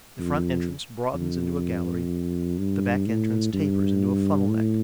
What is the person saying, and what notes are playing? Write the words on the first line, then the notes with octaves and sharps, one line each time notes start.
The front-entrance broadens into a gallery; the back-entrance tapers into a funnel-neck.
F2
F2
G2
A2
G2
A2